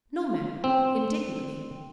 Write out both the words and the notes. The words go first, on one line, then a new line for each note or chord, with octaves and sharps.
"No, ma'm," indignantly.
C4